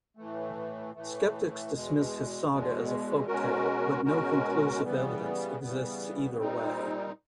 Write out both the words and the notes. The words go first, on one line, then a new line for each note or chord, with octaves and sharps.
Skeptics dismiss his saga as a folktale, but no conclusive evidence exists either way.
A2 E3 A3
A2 E3 A3
E2 B2 G#3
E2 B2 G#3
B2 G#3 C#4 F#4 A#4
B2 G#3 C#4 F#4 A#4
C#3 E3 G3 B3
C#3 E3 G3 B3
A#2 G3 C4 D#4